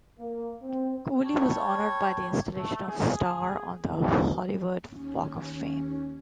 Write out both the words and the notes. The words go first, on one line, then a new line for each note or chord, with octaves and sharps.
Cooley was honored by the installation of star on the Hollywood Walk of Fame.
A#3
C4
G3 C#5 A5
A3
G#4
D#2 C#4